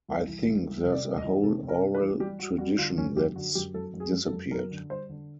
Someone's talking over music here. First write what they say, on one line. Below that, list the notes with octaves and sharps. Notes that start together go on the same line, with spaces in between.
I think there's a whole oral tradition that's disappeared.
C2
E3
C2
C2
C3
D5
G3
D#5
E3
C3 A4
C3
A#4
G3
B4
E3
G3 G4
G3 F#4
G3 F#4
D3 F4
F#2 C#4
F#2 G4
D3 F#4
F#2 G4
F#2 A4
F#2
G#4
F#2
A4
F#2
F#2 A#4
D3
G3 C5
D3